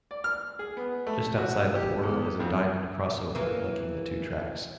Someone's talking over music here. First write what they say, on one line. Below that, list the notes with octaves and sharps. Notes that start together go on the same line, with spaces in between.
Just outside the portal is a diamond crossover linking the two tracks.
D5
F6
G#4
B3
A3
F#4
G4
E2
F2
E3 A#3